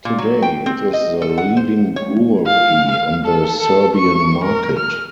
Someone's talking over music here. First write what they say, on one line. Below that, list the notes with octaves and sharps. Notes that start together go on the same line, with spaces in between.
Today, it is the leading brewery on the Serbian market.
A#2
F#3
G5
C4
D#5
A4
F#5
C5
C#5
F5
F5
A4
A4
C#6
A#4
F6